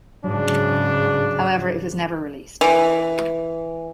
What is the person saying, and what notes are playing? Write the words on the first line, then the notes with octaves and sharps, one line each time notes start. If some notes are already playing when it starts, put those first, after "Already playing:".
However, it was never released.
G#2 C#3 F#3 D4
E3